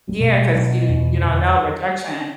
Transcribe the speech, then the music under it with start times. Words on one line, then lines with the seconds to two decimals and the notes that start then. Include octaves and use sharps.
Yeah, 'cause you you don't know, rejection.
0.09 A3
0.20 B2
0.32 G#3
0.54 B2 F#3
0.88 E2
1.00 E3
1.22 E2 D3